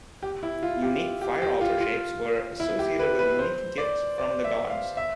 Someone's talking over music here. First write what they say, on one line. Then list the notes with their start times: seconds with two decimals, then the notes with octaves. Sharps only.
Unique fire-altar shapes were associated with unique gifts from the Gods.
0.23 G4
0.43 E4
0.63 F4
0.83 G4
1.21 G4
1.42 G4
1.61 F4
1.80 F4
2.60 E4
2.79 G4
2.99 B4
3.19 B4
3.39 C5
3.78 D5
4.18 D5
4.44 E5
4.70 F5
4.97 E5